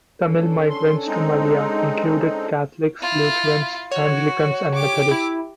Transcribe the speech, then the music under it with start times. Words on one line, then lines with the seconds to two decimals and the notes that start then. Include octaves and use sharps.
Tamil migrants to Malaya included Catholics, Lutherans, Anglicans, and Methodists.
0.23 C#4 D4 A4
0.70 C6
1.07 G#3 C4 D#4
3.01 E4 F4
3.91 F#4 C#5
4.74 G4 D6
5.11 E4